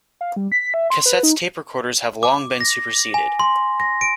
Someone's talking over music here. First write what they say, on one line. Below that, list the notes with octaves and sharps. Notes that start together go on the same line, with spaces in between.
Cassettes tape recorders have long been superseded.
F5
G3
B6
E5
C6
B4
D#4
D6
A#6
G#5
C6
A#6
D7